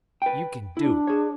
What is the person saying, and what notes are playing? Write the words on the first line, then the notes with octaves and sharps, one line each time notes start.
You can do it.
B4 G5
D4 E4
G#4 C#5